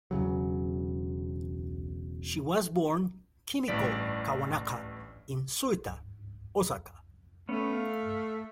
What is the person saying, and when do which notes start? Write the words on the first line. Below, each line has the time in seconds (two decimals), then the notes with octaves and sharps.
She was born Kimiko Kawanaka in Suita, Osaka.
0.11 E1 E2 C#3 F#3
3.68 A1 G2 E3 D5 B6 D7
7.49 A3 B3 C#4
7.73 F5